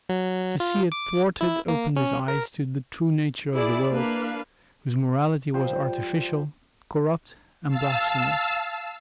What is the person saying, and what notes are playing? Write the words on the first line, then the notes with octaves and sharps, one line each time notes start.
To see it thwarted opened his eyes to the true nature of the world, whose morality was artificial, corrupt, and blasphemous.
F#3
F4
D6
E4
A#3
C#4
A#4
E4 G#4 D5
A#3 D4 B4 F5
F3 G3 C5
F5 A5 E6